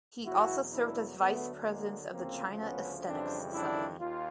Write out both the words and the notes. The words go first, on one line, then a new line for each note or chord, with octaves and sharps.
He also served as Vice President of the China Aesthetics Society.
E2 B2 F#3 E4 F#4
D4 E4
D2 D3 F#3 A3 B3
G#3 A#3
D2 C#3 F3 A#3 C4
B3 C#4
F2 C#3 E3 G3 C4 D4
D4 E4
D#2 F4